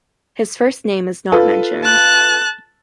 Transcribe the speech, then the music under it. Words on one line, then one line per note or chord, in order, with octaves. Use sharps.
His first name is not mentioned.
F4 A4 B4
A5 F#6